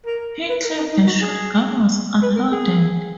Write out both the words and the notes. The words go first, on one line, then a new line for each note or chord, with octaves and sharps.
He claimed the shotgun was unloaded.
A#4
B4
A#4
D#4
D#4
F#4
G#4
B4
A#4
G#4